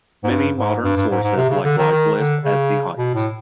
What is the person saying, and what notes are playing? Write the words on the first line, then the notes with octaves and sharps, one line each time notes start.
Many modern sources likewise list as the height.
G#2
G2
G#2
G2
G2
G#2
G#2
C3
C#3
D3
D#3
D#3
D3
C#3
B2
A2